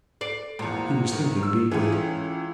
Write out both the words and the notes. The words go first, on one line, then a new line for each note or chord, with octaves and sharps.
He was thinking deeply.
D5 C7 D7
G#1 E2 A#2
D#3
E6
C#2 E3 G#4
C#4